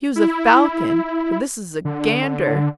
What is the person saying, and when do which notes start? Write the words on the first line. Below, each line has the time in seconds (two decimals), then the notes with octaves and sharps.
He was a falcon, but this is a gander.
0.16 E4
1.85 D3